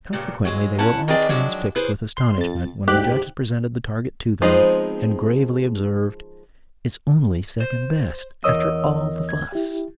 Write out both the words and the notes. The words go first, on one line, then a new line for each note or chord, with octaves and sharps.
Consequently, they were all transfixed with astonishment when the judges presented the target to them, and gravely observed, "It's only second best, after all the fuss."
G2 A#2 C#3
F#3 G#3
C#4 E4 F#5 A5
D#3 C4 G#4 B4 D5 G5
D#3 F3 F#3 G#3 D4
E4 G#4 B4 C5
C6
F2 A6
D2 G#2 G4 F#6 B6
F3 G#3 B3 C4 D#4 C5
C5
E2 A#4 C#5 D#5 D#6 E6
G#6
E4 G4